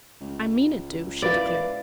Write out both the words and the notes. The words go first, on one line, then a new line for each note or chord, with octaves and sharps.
"I mean it to," she declared.
C#2
E4 B4 D5 F5